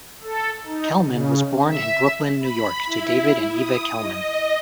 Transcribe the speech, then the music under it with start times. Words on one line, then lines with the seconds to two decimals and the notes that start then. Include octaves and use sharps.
Kelman was born in Brooklyn, New York to David and Eva Kelman.
0.23 A4
0.67 D#4
1.02 C#3
1.72 E5
2.39 B5
2.85 E4
3.51 D#6
3.97 D#5